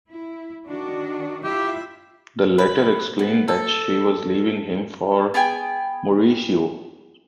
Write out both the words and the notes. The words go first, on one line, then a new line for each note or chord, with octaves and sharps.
The letter explained that she was leaving him for Mauricio.
E4
D#3 D4 F#4
E4 F4 G4 E5
B4
B3
A4
B3 G#4 G5 G#5